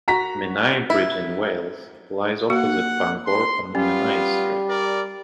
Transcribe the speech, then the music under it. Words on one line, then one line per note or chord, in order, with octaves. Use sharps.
Menai Bridge in Wales lies opposite Bangor on the Menai Strait.
F#4 A#5 B6
E4
A#3 F#4 F#5
C6
G3 B3 C#4 F4
A#4 D5